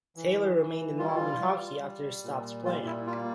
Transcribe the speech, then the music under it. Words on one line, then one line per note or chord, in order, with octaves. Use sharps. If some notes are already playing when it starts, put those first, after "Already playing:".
Taylor remained involved in hockey after he stopped playing.
E3
E3
G3 F4
E4
F4
G3
G3
A#2
G3 F4
E4
A#3 F4